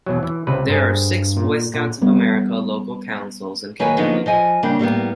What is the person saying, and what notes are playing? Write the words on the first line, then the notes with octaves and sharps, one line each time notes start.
There are six Boy Scouts of America local councils in Kentucky.
E2 B2 F#3
E3
C#2 C3 B4
G2 G#4 A#4 C5
A#2
A#2
G3 B3
D#3 F#3 A#3 B4 C#5 G#5
D3 F3 F#3 A#3 B3 D#4
F3 D#5 G#5
C#3 G3 A#3 C4 D4
A2 G3 A#3 B3